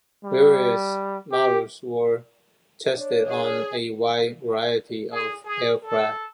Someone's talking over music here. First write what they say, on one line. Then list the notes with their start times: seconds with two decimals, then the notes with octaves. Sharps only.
Various models were tested on a wide variety of aircraft.
0.24 G3
1.32 G4
2.96 D4 C#5
3.28 G#4
5.12 G#4
5.44 G#4
5.83 A4